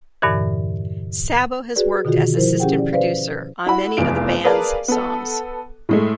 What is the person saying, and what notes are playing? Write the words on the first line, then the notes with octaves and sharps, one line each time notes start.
Sabo has worked as assistant producer on many of the band's songs.
E2 G2 A#2 D3 E3
F#4 G#4 B4 D5
B2 D3 D#3 F4 F#4 G#4
F3 E4 A#4 C5
C#4 G4 G#4 F#5 G5
D5
B4 C5 D5 F5
E4 F#4 B5
F1 E2 F4 D7
G#4 A#4 B4 D5 F5 A5
B3 A4
A2 G#3 A3